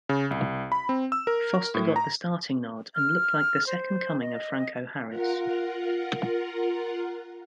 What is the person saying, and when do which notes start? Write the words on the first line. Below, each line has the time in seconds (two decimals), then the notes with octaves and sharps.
Foster got the starting nod and looked like the second coming of Franco Harris.
0.09 C#3
0.31 C2
0.72 B5
0.89 C4
1.12 E6
1.27 A#4
1.74 A2
1.96 A#5
2.95 F6
3.67 C5
4.21 D#5
5.09 F4 A#4 F#5